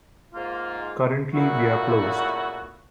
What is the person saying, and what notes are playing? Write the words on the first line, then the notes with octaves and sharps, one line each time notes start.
Currently we are closed.
G#2 A#3 F4
A#2 C#3 A3 B3 E4 F#4